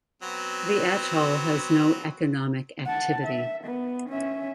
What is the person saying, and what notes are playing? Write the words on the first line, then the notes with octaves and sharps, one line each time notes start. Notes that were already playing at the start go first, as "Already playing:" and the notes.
The atoll has no economic activity.
F#3 B3 C4
F#5 A5
E5
B3
C#4 E5